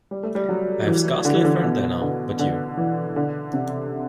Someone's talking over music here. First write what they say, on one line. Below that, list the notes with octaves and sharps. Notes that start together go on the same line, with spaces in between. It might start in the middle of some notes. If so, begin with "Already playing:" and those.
I have scarcely a friend there now but you.
G3
A3
G3
F#3
F#3
E3
D3
E3
D3
B2
D3
D3
E3
D3
C3